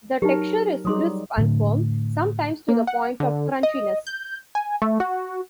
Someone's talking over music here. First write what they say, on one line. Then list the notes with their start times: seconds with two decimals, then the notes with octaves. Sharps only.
The texture is crisp and firm, sometimes to the point of crunchiness.
0.22 F#3 D#4 G4 A#4
0.85 F#3 G3 D#4 G#4 C6 D#6
1.38 A2 D3
2.68 A#3
2.87 F#5
3.20 D3
3.63 D#5
4.07 G6
4.55 G#5
4.82 A3
5.00 F#4